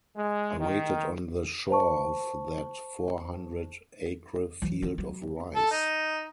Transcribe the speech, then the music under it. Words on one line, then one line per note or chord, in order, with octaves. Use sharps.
I waited on the shore of that four hundred acre field of rice.
G#3
D#3
C5 A5 C#6
E3 F#3
D#3 F3
F#3
A4
D#4